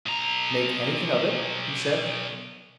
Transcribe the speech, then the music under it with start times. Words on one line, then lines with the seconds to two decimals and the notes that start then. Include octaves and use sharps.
"Make anything of it?" he said.
0.06 B1 A#5